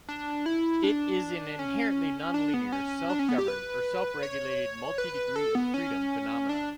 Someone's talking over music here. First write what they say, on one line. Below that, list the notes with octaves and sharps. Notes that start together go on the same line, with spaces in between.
It is an inherently nonlinear, self-governed or self-regulated, multi-degree-of-freedom phenomenon.
D4
E4
D4
C#4
D4
B3
C#4
D4
C#4
B3
G4
B4
C#5
B4
A4
B3
C#4
D4